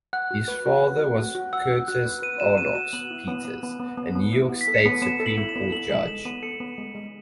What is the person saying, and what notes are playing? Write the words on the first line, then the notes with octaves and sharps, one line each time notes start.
His father was Curtis Arnoux Peters, a New York State Supreme Court judge.
F#5 F#6
F#4
B4
F#4
B4
F#4
F#4
F#4
F#5 E6
F#4
F#4 F#6
B4
B4 D#7
F#4 E7
B4 D#7
F#4 E7
B3 F#7
E4
B3
B3
B3
B3
B3
B3
E4
B3
B6
A4
C#7
B3 D#7
B3 E7
A4
F#7
E4
E7
B3
A4 F#7
G#3 F#7
A4 E7
B3 D#7
A4 C#7
B3
G#3
G#3